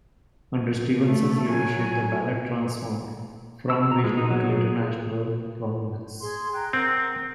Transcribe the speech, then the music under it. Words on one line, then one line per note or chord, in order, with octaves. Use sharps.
Under Stevenson's leadership, the ballet transformed "from regional to international prominence".
A3
F#3 G#5
E6
A#5
G#3
D#4
F#3
G#4
G#4 C6
G5 A#5 F#6
C4 A#4 F#5